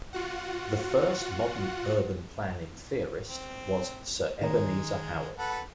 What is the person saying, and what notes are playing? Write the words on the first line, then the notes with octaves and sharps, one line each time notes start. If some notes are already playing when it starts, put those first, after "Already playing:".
The first modern urban planning theorist was Sir Ebenezer Howard.
F4 F#4 F#5
C4
D#3 G#3 A#5
A4 B4 F#5